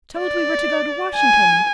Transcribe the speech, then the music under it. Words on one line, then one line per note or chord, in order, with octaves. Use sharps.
Told we were to go to Washington.
D5
G#5